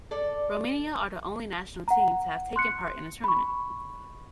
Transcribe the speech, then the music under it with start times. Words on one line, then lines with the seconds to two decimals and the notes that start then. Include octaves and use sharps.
Romania are the only national team to have taken part in the tournament.
0.11 A4 D5
1.88 F#5 A#5
2.56 C6 F#6 C#7
3.24 B5 C#6